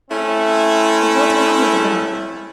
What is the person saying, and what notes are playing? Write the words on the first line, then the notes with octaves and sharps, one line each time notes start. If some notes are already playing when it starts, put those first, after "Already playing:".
The whole town was agog.
A3 C4 C#4 E4